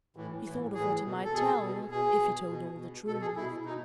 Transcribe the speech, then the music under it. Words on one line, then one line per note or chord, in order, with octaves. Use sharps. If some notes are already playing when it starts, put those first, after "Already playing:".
He thought of what he might tell--if he told all the truth.
A2 E3
A2 E3
A2 E3 G#4
B2
A4
B2 G#4
B2
B2 G#4
B2
B2
B2
B2 A4
G#4
B2 E4
B2 D#4